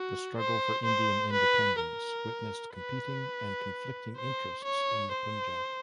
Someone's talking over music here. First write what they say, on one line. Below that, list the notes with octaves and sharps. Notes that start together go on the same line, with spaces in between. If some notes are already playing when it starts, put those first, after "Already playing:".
The struggle for Indian independence witnessed competing and conflicting interests in the Punjab.
Already playing: F#4
C5
C5
B4
A#4
B4
C5
C#5
C5